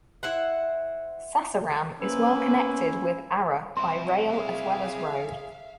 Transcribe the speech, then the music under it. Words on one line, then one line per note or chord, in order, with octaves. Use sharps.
Sasaram is well connected with Ara by rail as well as road.
E4 C5 F#5
A#3 C#4 E4 B4 C5
C4 E4 C6
G#4 E5 F5